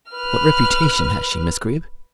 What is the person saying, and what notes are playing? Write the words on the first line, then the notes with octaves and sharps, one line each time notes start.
"What reputation has she, Miss Greeb?"
B4 F6